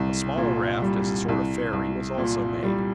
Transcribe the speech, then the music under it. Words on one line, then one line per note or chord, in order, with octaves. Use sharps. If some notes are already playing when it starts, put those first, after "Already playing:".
A smaller raft, as a sort of ferry, was also made.
Already playing: C2
A#2
G3
C2
C2
A#2
G3